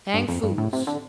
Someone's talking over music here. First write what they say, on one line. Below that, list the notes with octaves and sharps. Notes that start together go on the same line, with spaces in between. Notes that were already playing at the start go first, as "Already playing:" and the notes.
Chang Foo's!
G2
F2
G2
A2
C3
D3